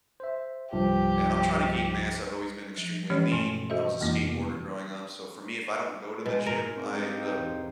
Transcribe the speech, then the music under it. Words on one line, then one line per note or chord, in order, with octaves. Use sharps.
And, I'm tryna gain mass, I've always been extremely lean, I was a skateboarder growing up, so for me, if I don't go to the gym, I end up
C5 E5
C2 G2 F3 G4
F3
E3 G#3 C#4 G4 B4 C#5
G2 B2 A3
F#4 A4 C5 D#5 E5
F2 E3 G#3 A#3 D4 E4
C3 B3
B2 G#3
G#2 A#4
C4 F5
D#4 G4 G5
E1 C5